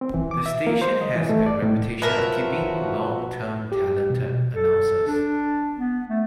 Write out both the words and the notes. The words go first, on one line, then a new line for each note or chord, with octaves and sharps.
The station has a reputation of keeping long term talented announcers.
C4
E3
D6
E5
A#3
C5
D#5
E3
A3
D5
A2
F#1 F3 F#4 A#4 B4 E5 A5 A#6
G4
B2
A4
D4
B3
A3